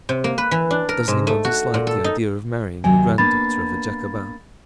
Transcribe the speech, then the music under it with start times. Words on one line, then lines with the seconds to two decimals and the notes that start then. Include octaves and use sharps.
"Does he not dislike the idea of marrying the granddaughter of a Jacobin?"
0.09 C3
0.24 A#3
0.38 B4
0.51 E3
0.71 D4
0.89 A#4
1.08 G#2
1.27 A3
1.45 F#4
1.74 A#2
1.87 A4
2.04 D#4
2.84 D#2 C3 F#3 G#5
3.18 A#3 B3 D4 B5 A6